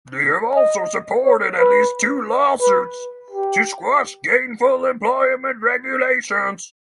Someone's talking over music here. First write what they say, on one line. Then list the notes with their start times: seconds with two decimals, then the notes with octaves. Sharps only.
They have also supported at least two lawsuits to squash gainful employment regulations.
0.56 D#5
1.24 C#5
1.59 B4
2.61 B4
3.30 G4